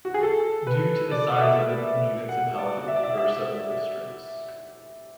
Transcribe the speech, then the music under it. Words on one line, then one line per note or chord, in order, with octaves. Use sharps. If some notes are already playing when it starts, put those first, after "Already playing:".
Due to the size of the municipality there are several districts.
F#4
G#4
A4
B4
D5
E5
F#5
D5
E5
D5
E5
E5